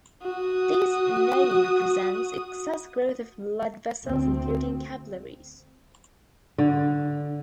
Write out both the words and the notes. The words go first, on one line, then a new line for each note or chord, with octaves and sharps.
These nevi represent excess growth of blood vessels, including capillaries.
F#4 D#6
D2 C4
D3